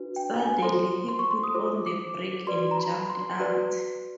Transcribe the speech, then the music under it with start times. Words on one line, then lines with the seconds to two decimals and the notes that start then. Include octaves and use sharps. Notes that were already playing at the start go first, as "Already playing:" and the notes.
Suddenly he put on the brake and jumped out.
Already playing: D4 F#4 B4
0.16 G5
0.40 G#5
0.62 F4 A4 C5 C6
1.09 C6
1.19 C#6
1.31 C6
1.43 D#6
1.54 F4 A4 C5 D6
1.86 D6
2.47 F#4 B4 D5 C6
2.71 A#5
2.78 B5
3.10 C6
3.39 F#4 B4 D5